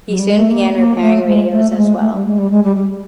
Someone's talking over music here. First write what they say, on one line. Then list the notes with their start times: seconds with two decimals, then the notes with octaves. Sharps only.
He soon began repairing radios as well.
0.07 F#3
0.19 G3
0.30 G#3
0.39 A3
0.50 A#3
0.75 A#3
1.01 A3
1.26 G#3
1.50 A3
1.71 A3
1.76 G#3
2.00 A3
2.13 G3
2.26 G#3
2.38 G3
2.51 G#3
2.63 G3
2.76 G3